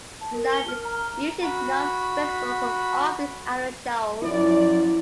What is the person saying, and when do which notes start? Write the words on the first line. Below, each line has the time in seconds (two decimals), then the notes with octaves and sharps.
The land is usually not visible from off these outer shoals.
0.21 A5
0.34 A#4
0.53 G7
0.68 F6
0.85 A#5
1.42 F#4 B5
4.22 F#2 F3 E4 D5